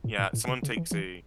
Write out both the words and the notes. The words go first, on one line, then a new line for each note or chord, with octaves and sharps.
Yeah, someone takes a
A2
A2
A2
C3
C#3
E3
E3